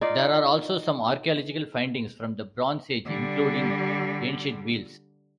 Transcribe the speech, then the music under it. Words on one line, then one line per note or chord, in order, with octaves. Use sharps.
There are also some archaeological findings from the Bronze Age, including ancient wheels.
D#4 F4 D5 F5
D3 G3